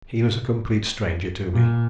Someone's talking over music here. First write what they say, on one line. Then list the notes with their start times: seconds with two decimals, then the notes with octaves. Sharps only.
He was a complete stranger to me.
1.54 A#2